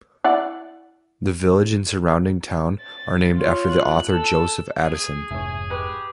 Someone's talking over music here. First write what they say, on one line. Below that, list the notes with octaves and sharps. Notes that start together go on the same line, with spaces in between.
The village and the surrounding town are named after the author Joseph Addison.
E4 D5 F#5
A6
F4 C#5
F#6
A4 E6
G#4
F1 G#2 C3 E4 C#5 G#5
G#3 G4 B4 C#6